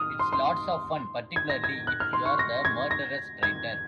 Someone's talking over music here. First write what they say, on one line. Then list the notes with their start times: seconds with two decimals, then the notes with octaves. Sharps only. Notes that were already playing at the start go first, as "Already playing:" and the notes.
It's lots of fun, particularly if you're the murderous traitor.
Already playing: D#6 F6
0.19 C6
0.33 C6
1.36 G#6
1.50 A#6
1.64 G#6
1.87 F#6
2.00 F6
2.13 C6
2.26 C#6
2.39 A#6
2.65 G#6
2.91 A#6
3.43 G#6